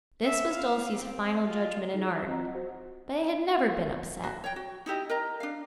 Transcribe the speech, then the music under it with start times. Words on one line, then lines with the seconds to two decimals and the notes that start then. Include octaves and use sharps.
This was Dulcie's final judgment in art; but it had never been upset.
0.24 E5
0.53 F5
0.95 C4
1.47 F4
1.94 G3 D#4 F4 G#4
2.09 D#6
2.28 C4 F4 D#5 F#5 A#5
2.54 F#4 C5 F#5
4.24 F#4
4.44 C#5 G5
4.56 F#4
4.86 D#4 E4 G4 D#5
5.09 A#4 D#5 A#5
5.40 D4 F5